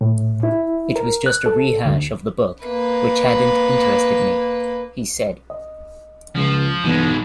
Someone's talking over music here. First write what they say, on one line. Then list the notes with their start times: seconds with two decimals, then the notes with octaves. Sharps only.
"It was just a rehash of the book, which hadn't interested me," he said.
0.01 A2
0.43 E4
0.96 A#4
1.26 F#6
1.46 A4
1.85 D2
2.63 A#3 B4
5.50 D#5
6.36 C#2 F3
6.84 B1 G2 B2 E3 G#3 B3